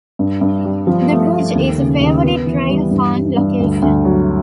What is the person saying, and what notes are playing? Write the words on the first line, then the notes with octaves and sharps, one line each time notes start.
The bridge is a favorite railfan location.
G2
G2
G3
F3
A3
A3
D#2
C#3
D#2
B3
E3
G3
G2
G3
G2
D2
D2
F#3